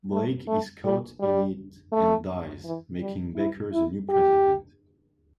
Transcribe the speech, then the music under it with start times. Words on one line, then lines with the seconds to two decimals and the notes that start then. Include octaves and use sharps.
Blake is caught in it and dies, making Becker the new President.
0.12 A3
0.48 A3
0.84 G3
1.20 G3
1.92 A3
2.65 E3
3.01 G3
3.37 E4
3.73 E4
4.09 G4